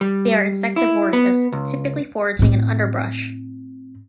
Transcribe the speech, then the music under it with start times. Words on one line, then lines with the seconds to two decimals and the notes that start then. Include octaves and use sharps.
They are insectivorous, typically foraging in underbrush.
0.01 G3
0.76 E4
1.13 B3
1.52 C#2
2.39 A2 C4